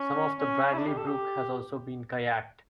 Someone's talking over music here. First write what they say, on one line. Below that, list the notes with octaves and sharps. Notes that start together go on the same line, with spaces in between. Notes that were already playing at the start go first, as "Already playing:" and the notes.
Some of the Bradley brook has also been kayaked.
Already playing: C#4
C#4
E4
D4
G4
A4
G4